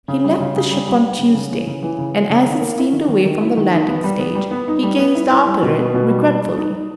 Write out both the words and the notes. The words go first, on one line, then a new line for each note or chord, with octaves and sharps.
He left the ship on Tuesday, and as it steamed away from the landing-stage he gazed after it regretfully.
C#3
G3
C#3
C#3
G3
G3
G3
C#3
C#3
E3
C#3
E3
C#3
G#3
C#3
D#3
A#3
E4
D#3
D#3
D#3
E4
D#3
D#4
B3
G3
B3
G3
B3
D#4
G3
B3
E4
E4
G3
B2
B3
B2
G3
G3
G3
D#4
D#4